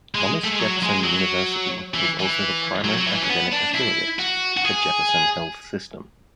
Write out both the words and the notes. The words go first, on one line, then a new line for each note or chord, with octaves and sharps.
Thomas Jefferson University is also the primary academic affiliate of the Jefferson Health System.
G#3
A3
G#3
F#3
G#3
F#3
E3
E3
F#3
F#3
E3
C#4
B3
D4
E4
F#4
F#4
G#4